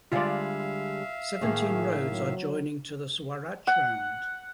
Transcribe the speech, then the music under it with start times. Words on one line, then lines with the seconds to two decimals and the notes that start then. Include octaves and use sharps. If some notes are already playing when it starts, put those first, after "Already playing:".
Seventeen roads are joining to the Swaraj Round.
0.12 D3 G3 G#3 F4 D5 E5 F5
1.41 A2 D#3 A#3 G#4
2.10 F#3
3.67 F#5